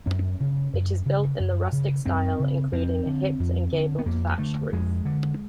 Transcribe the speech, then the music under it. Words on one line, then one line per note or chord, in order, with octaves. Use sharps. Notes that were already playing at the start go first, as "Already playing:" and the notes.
It is built in the rustic style, including a hipped and gabled, thatched roof.
F#2 C#4
C#3
F#2
C#3
F#2
C#3
F#2 C4
C#3
F2 C4
D3
F2
D3
B3
F2 A#3
D3 A3
F2 G#3
D3